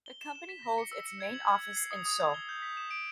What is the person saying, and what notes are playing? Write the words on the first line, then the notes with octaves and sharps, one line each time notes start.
The company holds its main office in Seoul.
G7
E7
E7
B6
A#6
C#7
E6
C#7
G#6
F#7
G#6
G#6
C7
D#6
D#6
G#6
G7
G6
B6
E7
D7